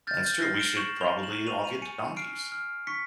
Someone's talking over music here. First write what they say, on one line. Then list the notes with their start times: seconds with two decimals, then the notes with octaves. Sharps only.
That's true, we should probably all get donkeys.
0.07 F6 G6 A6
0.25 G6
0.42 F6 A#6 C7
0.59 D7 E7
0.77 C#6 E7 F#7
1.01 F7 G7
1.12 A#5
1.23 E7 F#7
1.47 C#6 D#7 F7
1.64 D#7 F7
1.82 G#5 C#7 D#7
2.17 F6 C7 D7
2.52 F6
2.87 C#6 B6 C#7